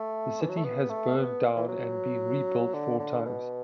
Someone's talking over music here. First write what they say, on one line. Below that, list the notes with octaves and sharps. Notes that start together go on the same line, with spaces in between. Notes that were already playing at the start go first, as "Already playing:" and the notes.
The city has burned down and been rebuilt four times.
Already playing: A3
E3
F#3
A3
B3
A3
B3
E3
F#3
D3
D3
B2